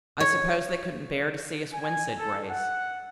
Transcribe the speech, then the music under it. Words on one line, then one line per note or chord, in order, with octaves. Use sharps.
"I suppose they couldn't bear to see us win," said Grace.
C#5
G#5
A4
F#5